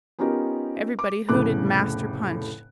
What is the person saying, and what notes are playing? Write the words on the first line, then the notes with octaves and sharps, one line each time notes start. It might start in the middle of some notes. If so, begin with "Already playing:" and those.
Everybody hooted Master Punch.
B3 C#4 D#4 F4 G4 A#4
D6
F1 A2 C#3 B3 D6 F#6